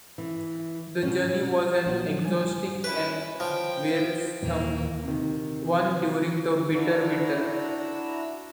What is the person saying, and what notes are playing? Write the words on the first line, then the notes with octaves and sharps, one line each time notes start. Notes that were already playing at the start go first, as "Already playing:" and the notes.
The journey was an exhausting and wearisome one during the bitter winter.
E3
B2 C#4
A#1 F3 F#3
G2 G#5
C#4 E4 B4
F3 G5
D#2 A#2 E3 A#3
C3 D#3
D4 E4 F#4 A#5 E6